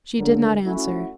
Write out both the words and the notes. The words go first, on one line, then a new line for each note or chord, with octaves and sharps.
She did not answer.
C#2 D3 C#4 A#4
A3 C#4 E4 F#4